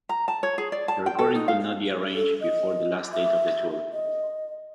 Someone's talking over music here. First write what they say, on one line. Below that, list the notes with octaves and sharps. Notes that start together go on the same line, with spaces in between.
The recording could not be arranged before the last date of the tour.
A#5
A5
C#5
G#4
D5
A5
G5
A4
D#4
F5
A4
D#5
E5
D#5